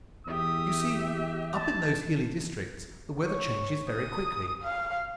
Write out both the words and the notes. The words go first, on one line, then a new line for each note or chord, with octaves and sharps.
You see, up in those hilly districts, the weather changes very quickly.
E2 G4 E5 D#6
A5
C#5
D#6
F5